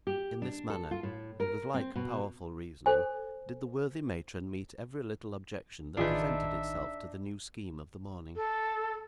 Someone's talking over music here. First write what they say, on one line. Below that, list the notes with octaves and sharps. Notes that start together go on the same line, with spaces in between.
In this manner, and with like powerful reasoning, did the worthy matron meet every little objection that presented itself to the new scheme of the morning.
G4
D4
A4
F4
A2
A#4
C4
B2
A4 C5 G#5
A1 D#3 D4 D#4 F4 G#4 B4 E5
A4